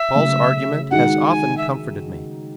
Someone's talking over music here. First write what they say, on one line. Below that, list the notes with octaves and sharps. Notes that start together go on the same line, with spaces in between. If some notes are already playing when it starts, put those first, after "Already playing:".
Paul's argument has often comforted me.
Already playing: E5
C#3 F#3 A3
D#3 G#3 D#4 F#4 F#5
G#5
E5